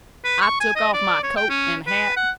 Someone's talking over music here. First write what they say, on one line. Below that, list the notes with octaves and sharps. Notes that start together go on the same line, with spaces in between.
I took off my coat and hat.
B4
C#6
G#5
D#5
D5
C#5
G5
C#4
B4
F#5